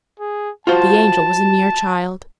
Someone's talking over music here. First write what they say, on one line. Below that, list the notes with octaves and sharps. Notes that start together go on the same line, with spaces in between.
The Angel was a mere child.
G#4
F4 F#4 C5 A5